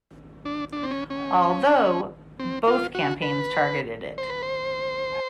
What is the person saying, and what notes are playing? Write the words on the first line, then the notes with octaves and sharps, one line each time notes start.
Although, both campaigns targeted it.
D4
D4
C4
C#4
C#4
C4
F4
F#4
B4
C5
B4
C5